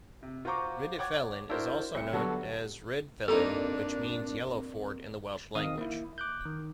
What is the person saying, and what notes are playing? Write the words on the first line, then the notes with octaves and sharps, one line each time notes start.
Rhydyfelin is also known as Rhydfelen, which means "Yellow ford" in the Welsh language.
C3
F4 F#4 C5 A#5 C#6 D6
C#5 F#5 G5 D6 G#6 A6
D4 E4 F#4 A#4 C5
C2 C#7
D3 F#3 G3 B3 F#4 A4
G2 A#2 C4 D4 D#4 A4 A#4
D#3 C4 D#5 F5 D#6
A#3 E4
D6 F#6 G6
D#3